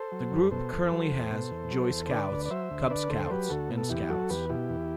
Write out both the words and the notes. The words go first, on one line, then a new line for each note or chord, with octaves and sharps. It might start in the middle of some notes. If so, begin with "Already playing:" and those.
The group currently has Joey Scouts, Cub Scouts and Scouts.
Already playing: A4 C5
F#3
F#2
B2 A4 C5
E2
F#3
E2
B2
E2
F#3
E2
C5
D3 B4 D5
D2
D5
F#3 C5 E5
D2
D3 B4 D5
D2 A4 C5
C5
F#3 G4 B4
D2 F#4 A4
B2
A4
E2 E4 G4
F#3 F#4 A4
E2 G4 B4
B2 E4 G4
E2